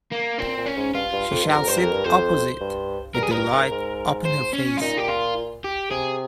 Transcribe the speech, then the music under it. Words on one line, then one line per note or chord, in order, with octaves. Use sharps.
She shall sit opposite, with the light upon her face.
A#3
A#2 C4
A#2
C#4
G#2
G2 F4
G2
F2
G2
A#4
F2
G2 C5
F2 A#4
G2
F2 C5
G2
G2 A#4
G#4
G2 A#4
G#2
G#2
C5
C#4
F4
A#2 D#4
G4
F4
G4
C3 G#4